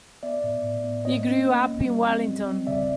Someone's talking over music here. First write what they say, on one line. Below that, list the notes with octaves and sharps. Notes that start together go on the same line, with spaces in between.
He grew up in Wellington.
B3 D5 E5
A2
A2
B3
A#3 C#5 D#5
C#4
A#3
C#4
G3
C4
G3
C4
C#3 D5 E5